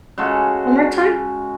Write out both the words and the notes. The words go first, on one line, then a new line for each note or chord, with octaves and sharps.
One more time?
C#3 G#3 F#4 A4